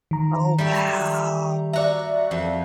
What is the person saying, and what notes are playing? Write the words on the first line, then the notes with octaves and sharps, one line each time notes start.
Oh, wow!
D#3 A#5
G3 A3 G4
F#4 D5 E5 A#5
F2